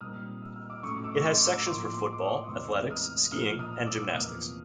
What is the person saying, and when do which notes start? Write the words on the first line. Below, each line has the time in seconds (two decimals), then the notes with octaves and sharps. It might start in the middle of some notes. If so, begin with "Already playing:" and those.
It has sections for football, athletics, skiing and gymnastics.
0.01 A#2 G3 C4 D#4 D#6 F6
0.42 E6
0.56 F6
0.70 D6 E6
0.83 A2 F#3 A3 C#4 C#6 D#6
1.04 D6 E6
1.16 C#6
1.25 C6 D6
1.45 D6 E6
1.66 A2 F3 A#3 C6 D6
1.93 C6 D6
2.13 D6
2.21 C#6 D#6
2.44 D#6
2.49 E2 C3 E3 G#3 C4 D6 E6
2.90 D#6 F6
3.32 A#2 F3 A#3 D#6 F6
3.59 D#6 F6
3.87 D6 E6
4.14 E2 C3 F3 A#3 D#6 F6